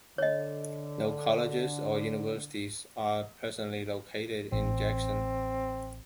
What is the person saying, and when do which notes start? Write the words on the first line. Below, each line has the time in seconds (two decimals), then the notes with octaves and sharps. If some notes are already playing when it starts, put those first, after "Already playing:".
No colleges or universities are presently located in Jackson.
0.18 D3 C#5 D#5
4.52 A1 C4